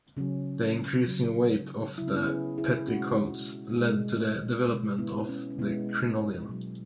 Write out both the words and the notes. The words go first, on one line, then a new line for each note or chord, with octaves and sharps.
The increasing weight of the petticoats led to the development of the crinoline.
C#3 F#3 C#4
C#3 F#3
C#3 F#3 E4
C#4
B3 E4
E4 G#4
E4 G#4
B2 G#3 C#4 F#4
B2 G#3
B2 G#3
B3 E4
C#4
C#4
B2 G#3 B3 E4
B2 F#3